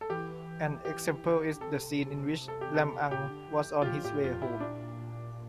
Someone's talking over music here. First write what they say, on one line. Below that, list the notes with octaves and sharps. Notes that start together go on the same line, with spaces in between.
An example is the scene in which Lam-ang was on his way home.
A4
E3 G4
E3 G4
D3
C3 A4
A4
G4
A4
A#2 G4
D3
E3
F4
F3 G4
A2 G4
F2 F4
A2 E4
A#2 D4